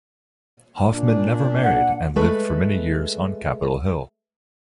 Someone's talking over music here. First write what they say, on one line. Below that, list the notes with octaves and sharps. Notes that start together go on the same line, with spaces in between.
Hoffman never married and lived for many years on Capitol Hill.
A#2 D4
F#5
G#3 A3 B4